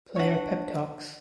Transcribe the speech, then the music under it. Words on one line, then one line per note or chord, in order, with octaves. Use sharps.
Player pep talks.
D4 C#5 F#5